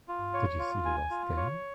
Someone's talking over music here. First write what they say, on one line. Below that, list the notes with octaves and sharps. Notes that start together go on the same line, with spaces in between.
Did you see the last game?
F4
C#5
F4
G#5
F4
C#5